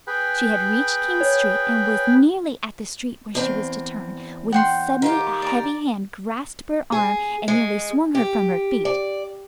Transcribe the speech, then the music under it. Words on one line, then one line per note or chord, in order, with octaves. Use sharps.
She had reached King Street and was nearly at the street where she was to turn, when suddenly a heavy hand grasped her arm and nearly swung her from her feet.
G#4 B4 G5
C#5
E2 C4
F#5 G5 C6
D#3 F4 G4
D5 A#5
G#4
G#3
G4
D5